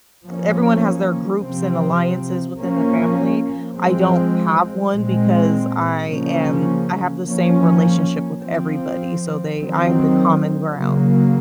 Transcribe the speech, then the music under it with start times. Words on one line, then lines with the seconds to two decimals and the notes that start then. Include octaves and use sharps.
everyone has their groups and alliances within the family, I don't have one because I am I have the same relationship with everybody, so they I'm the common ground.
0.25 F3 A#3 C#4
1.41 C3 F3 C4
2.58 F3 A#3 C#4
3.75 F3 G#3 C4
4.91 A#2 G#3 C4
6.08 C#3 F3 A#3 C#4
7.25 F3 A#3 C#4
8.41 F3 C4
9.57 D#3 F#3 C4
10.75 C#3 F#3 A#3